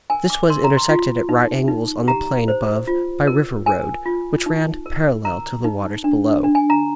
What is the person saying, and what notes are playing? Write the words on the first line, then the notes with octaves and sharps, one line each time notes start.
This was intersected at right angles on the plain above by River Road, which ran parallel to the waters below.
A#4 G#5
D6
A#4 C6
A#5
C6
F4
D#4
D#4
G4 A#5
C5
F4
A#4
A#4 G#5
F4
D#4
A#4
A#4 A#5
D#4
D4
D4
G#5
A#5